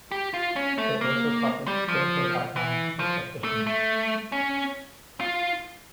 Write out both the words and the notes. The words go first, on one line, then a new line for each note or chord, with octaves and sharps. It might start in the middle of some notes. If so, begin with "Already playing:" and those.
They also publish clinical guidelines for practitioners.
G4
F4
C#4
A3
A#3
G3
F3
E3
F3
A3
A3
C#4
F4